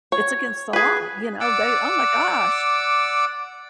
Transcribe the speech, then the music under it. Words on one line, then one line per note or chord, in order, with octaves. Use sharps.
It's against the law. You know, they oh my gosh.
C#5
G#4 B4
D5 F#5 D6 E6